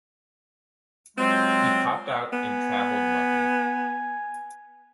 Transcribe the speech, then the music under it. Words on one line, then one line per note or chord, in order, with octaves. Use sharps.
He popped out and travelled lovely.
F#3 G#3 C4 F4
B3 G#5